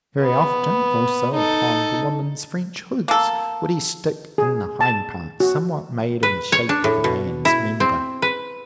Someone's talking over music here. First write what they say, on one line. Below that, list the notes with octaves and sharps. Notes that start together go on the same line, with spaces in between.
Very often, also, upon the women's French hoods would he stick in the hind part somewhat made in the shape of a man's member.
B3
D#4 A4
A#3 A4
G#4
A5
F#4
B4
C#5
D4
A2
B2
E4
C4
B4